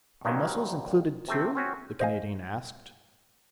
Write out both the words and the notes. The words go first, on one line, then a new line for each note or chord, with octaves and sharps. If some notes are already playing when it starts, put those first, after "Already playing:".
"Are mussels included too?" the Canadian asked.
G2 A#2 D#3 F3 F#3
C3 A3 C4
C4 C#4 F#4
C5 D#5 F5 G#5